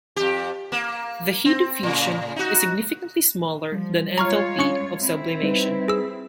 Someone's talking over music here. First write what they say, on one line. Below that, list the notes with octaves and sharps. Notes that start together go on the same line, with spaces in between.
The heat of fusion is significantly smaller than enthalpy of sublimation.
F2 G4
A#3
C4
A2 C#3
D#4 F#4
F3 G3
G#3 F4 C#5 A#5 C#6 F6
C#4 C#6 C#7
C4 E4
G3 D#4 B4
G#4 E6